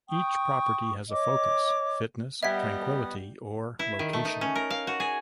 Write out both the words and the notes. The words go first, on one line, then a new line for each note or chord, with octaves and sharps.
Each property has a focus: fitness, tranquility, or location.
G5 C#6 D#6
C#5 D#5 D6
G3 B3 D#5 E5 F#5 G5 G#6 B6
E4
D#3
A3
D#4
C#4
A#4
F5
F#4
G#4